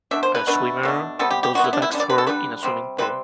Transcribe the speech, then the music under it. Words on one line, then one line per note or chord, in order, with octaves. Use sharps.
A swimmer does the backstroke in a swimming pool.
B2 A3 D4 E5
C5
B4
B2 A3 D4 B4
B2 A3 D4
C3 G3 B3 A4
G4
G4
C3 G3 B3 F#4
E4
D4
E4
D3 G3 D4
D5
B4
A4
D3 G3 D4 B4
C3 G3 C4
C3 G3 C4 B4